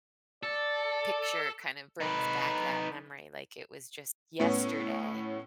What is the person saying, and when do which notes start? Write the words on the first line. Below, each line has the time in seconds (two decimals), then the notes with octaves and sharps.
picture, kind of brings back that memory like it was just yesterday.
0.43 A4 D5
2.00 D#4 B4
4.40 A2 B3 C#4